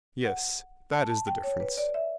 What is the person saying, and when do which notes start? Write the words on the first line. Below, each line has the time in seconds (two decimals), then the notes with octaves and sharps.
Yes, that is the difference.
0.25 F#5
0.93 A5
1.10 A5
1.27 G5
1.43 C#5
1.60 B4
1.77 D5
1.94 E5